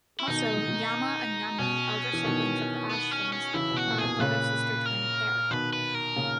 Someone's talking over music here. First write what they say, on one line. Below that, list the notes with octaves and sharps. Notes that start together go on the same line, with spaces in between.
Also, Yama and Yami, elder siblings of the Ashvins, are a brother-sister twin pair.
E4
B2 D#3 D#4
B2 C#4
E3
B2 D#3
B3
C#4
C#4
C#3 E3 E4
B2
F#4
A#2
B2 G#4
A#2 C#3 B4
A#4
B2 D#3 B4
B4
A#4
A#2 C#3